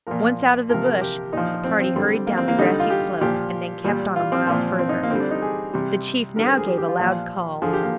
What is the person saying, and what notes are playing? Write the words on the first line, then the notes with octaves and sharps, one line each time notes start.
Once out of the bush, the party hurried down the grassy slope, and then kept on a mile further. The chief now gave a loud call.
A#2 F3 A#4
C3 F3 A#4
A#4
G4
A#2 F3 D#4
C4
C4
D3 G3 C4
A#3
C4
A#3
D3 G3 D#4
F4
G4
A#2 F3 G4
A#2 G3
F4
C4
A#2 F3
C4
D#4
A#3
D3 G3 C4
D4
D#4
G#4
C3 G3
D3 G3 A#4
C5
G#4
G4
G4
F4
A#2 F3
D3 F3 G#4
G4
A#3